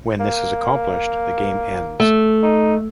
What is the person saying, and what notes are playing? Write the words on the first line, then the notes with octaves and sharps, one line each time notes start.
When this is accomplished, the game ends.
A#3
A3
D#4